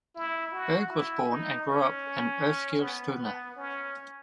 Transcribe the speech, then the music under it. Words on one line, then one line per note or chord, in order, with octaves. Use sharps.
Berg was born and grew up in Eskilstuna.
E4
F#4
E4
D#4
C#4
B3
B3
C#4